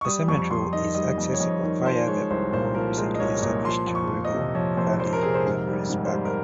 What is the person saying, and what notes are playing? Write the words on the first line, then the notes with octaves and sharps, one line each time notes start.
The cemetery is accessible via the more recently established Ribble Valley Remembrance Park.
C#6
G3 D#6
F2 C#6
F2 C6
D#3 D#5
G3 D#5
F2
C#5
F2 D#5
D#3
F3 C5
G#3 C#5
C2 C5
A#2 C5
F3 A#4
G#3 C5
D#5
C2 C#5
A#2 D#5
F3 C6
F2
C#6
F2
D#5
C3
F3 C#5
F2 C5
F2 C5
A#4
C3 G#4
C5
G#2 A#4
G3
G#2
C5
G3
A#4